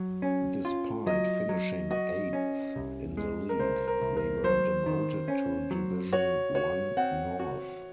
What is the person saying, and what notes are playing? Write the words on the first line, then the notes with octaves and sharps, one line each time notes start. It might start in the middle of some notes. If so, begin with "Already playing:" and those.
Despite finishing eighth in the league, they were demoted to Division One North.
Already playing: F#3
C#4
F4
F#3 D#5
F#3
F#4 D#5
C#4
C2
G#3
A#4
C2 C5
A#4
C2
A#4
F#3 C5
D#3
C#4
F#3
F#4 C#5
F#4 C#5
C4 F#5
F#4